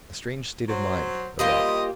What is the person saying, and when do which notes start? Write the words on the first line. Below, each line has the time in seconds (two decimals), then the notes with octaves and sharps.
A strange state of mind, no doubt.
0.69 F#3 C5
1.39 G3 A#3 F4 G4 C5 D#5